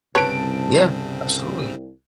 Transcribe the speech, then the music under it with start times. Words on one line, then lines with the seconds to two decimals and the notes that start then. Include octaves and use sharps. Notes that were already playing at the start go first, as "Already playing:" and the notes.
Yeah, absolutely.
0.15 G1 C2 C#3 C4 B4 C#5 A5 D7